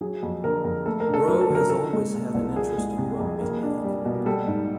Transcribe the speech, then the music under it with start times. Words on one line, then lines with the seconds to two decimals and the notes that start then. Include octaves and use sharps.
Brough has always had an interest in rugby league.
0.01 F#3 G#4
0.23 F2
0.44 D3 A#4
0.65 F2
0.86 A3 A4
1.00 A#4
1.08 D4
1.14 A4
1.28 F#3 A#4
1.41 A4
1.50 D3
1.55 A#4
1.70 F3 A4
1.93 G#3
2.13 A#2
2.34 C2
2.56 F3 G#4
2.78 G#3
2.98 C3
3.20 F2
3.41 A#3
3.63 D4
3.84 G3
4.05 B2
4.26 G3 A4
4.48 G#2